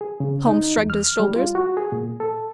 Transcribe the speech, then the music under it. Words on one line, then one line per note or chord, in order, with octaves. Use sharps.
Holmes shrugged his shoulders.
G#4
C#3
D#4
E2
F6
G3
F4
F#4
G#4
A#2
A4